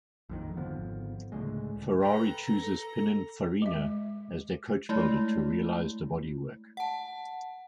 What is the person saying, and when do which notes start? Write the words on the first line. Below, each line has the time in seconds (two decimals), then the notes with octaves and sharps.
Ferrari chose Pinin Farina as their coachbuilder to realise the bodywork.
0.29 A#1 F2 D#3
0.57 G#1 D3 F3 B3
1.32 C#2 A2 D3 G#3
2.03 A4 B4 G5 A#5 B5
3.62 G#3 E5
4.89 G#3 A3 E4
6.77 F#5 A5